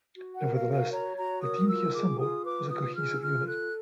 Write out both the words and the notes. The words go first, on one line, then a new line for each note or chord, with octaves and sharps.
Nevertheless, the team he assembled was a cohesive unit.
F#4
F#5
A#4
F5
F#4
F5
C#5 A#5
F#4 A#5
A#4 D#6
F4 E6
G#4 D6
F4 D#6
B4 D6
F4 D#6
G#4 F6
E6
F4 F6
A4 F#6